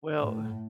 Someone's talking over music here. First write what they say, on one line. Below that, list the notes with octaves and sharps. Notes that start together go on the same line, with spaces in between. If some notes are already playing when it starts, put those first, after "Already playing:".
Well, uh,
A2